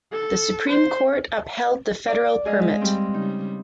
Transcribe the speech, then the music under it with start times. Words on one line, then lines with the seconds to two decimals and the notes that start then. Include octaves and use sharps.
The Supreme Court upheld the federal permit.
0.13 A4
0.70 C5
2.08 D5
2.45 G#3 G#4 D#5 F5
2.81 G3 C4
3.14 C#3 G3 D#4